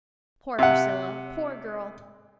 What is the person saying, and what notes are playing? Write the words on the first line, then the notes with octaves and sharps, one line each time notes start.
Poor Priscilla!--poor girl!
C3 F#5